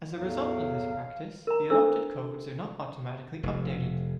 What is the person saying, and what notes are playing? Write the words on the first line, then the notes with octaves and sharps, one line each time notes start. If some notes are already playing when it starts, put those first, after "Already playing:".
As a result of this practice, the adopted codes are not automatically updated.
E2 A2 F#3 F5
A#4 A#5
D4 E4 A4 C5 E6
F1